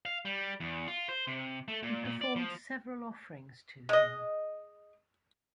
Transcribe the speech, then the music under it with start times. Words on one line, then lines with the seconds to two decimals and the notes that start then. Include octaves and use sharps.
He performed several offerings to him.
0.05 F5
0.25 G3
0.60 E2
0.87 F4
1.09 C5
1.27 C3
1.68 A3
1.83 A#2
2.05 A#2
2.21 D5
2.36 F3
3.89 G#3 D#5